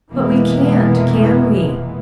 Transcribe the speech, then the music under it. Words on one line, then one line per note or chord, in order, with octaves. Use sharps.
"But we can't,--can we?"
F1 B2 E3 G#3 A#3 B3